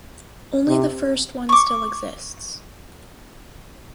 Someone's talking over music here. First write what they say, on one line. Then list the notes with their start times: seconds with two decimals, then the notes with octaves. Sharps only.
Only the first one still exists.
0.68 C3
1.49 C#6 D6